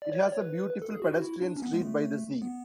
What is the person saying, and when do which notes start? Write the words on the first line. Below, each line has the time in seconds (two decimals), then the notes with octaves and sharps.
It has a beautiful pedestrian street by the sea.
0.02 D5
0.12 C#5
0.22 D5
0.32 C#5
0.42 B4
0.82 A4
0.92 G#4
1.02 F#4
1.12 F#4
1.22 E4
1.42 D4
1.57 C#4
1.62 B3
1.73 G#3
1.82 A3
2.42 B3